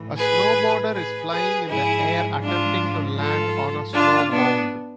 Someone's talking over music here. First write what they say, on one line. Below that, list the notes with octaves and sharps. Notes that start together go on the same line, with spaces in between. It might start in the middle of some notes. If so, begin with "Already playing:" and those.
A snowboarder is flying in the air attempting to land on a snow mound.
Already playing: A2 E3
G#4 B4
G#4 B4
G#4 B4
G#2 F3 E4 G#4
D4 F4
F4 A4
D4 F4
B3 D4